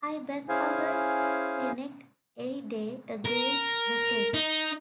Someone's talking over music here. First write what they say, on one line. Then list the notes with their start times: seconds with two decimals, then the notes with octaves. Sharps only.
I back our Kennet any day against the Test.
0.49 C#4 E4 G#4 C5 F5 G#5
3.25 A#4
4.34 D#4